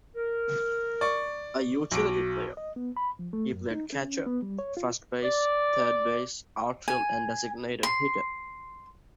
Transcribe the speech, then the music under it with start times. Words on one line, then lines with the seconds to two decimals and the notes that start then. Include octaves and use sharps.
A utility player, he played catcher, first base, third base, outfield and designated hitter.
0.16 A#4
1.01 D5 C#6
1.91 B1 F#4 D6 D7
2.57 D#5
2.76 B3
2.97 B5
3.19 F3
3.33 A3
3.52 F#2
3.71 D#4
3.93 C#4
4.26 B3
4.42 G3
4.59 C#5
4.77 F4
5.23 D5
6.88 G#5
7.83 C6